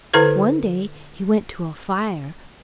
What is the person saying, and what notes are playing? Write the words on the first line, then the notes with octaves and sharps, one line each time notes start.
One day he went to a fire.
D3 E4 A4 B4 C5